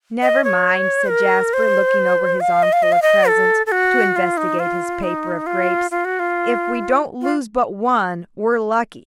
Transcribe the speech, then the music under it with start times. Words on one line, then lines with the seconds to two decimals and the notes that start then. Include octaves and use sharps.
"Never mind," said Jasper, looking over his armful of presents, to investigate his paper of grapes; "if we don't lose but one, we're lucky."
0.22 D#5
0.44 C#5
1.10 A#4
1.53 C5
2.40 F5
2.63 D#5
2.73 F5
2.83 D#5
2.92 F5
3.02 D#5
3.28 A4
3.66 A4
3.72 F#4
4.16 F4
4.37 D#4
4.59 F4
5.03 D#4
5.46 F4
5.91 F4
6.05 F#4
6.19 F4
7.21 F4